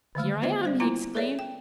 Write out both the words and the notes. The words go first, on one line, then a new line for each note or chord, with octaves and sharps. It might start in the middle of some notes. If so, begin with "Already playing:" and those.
'Here I am!' he exclaimed.
D3 D#3 G#3 A3
B3 F4 B4 C5 D#5 E5
G3 C5 D5
A#3 B3 E4 F4 A#5
G#4 A4 B4 C#5 D5 E5
G5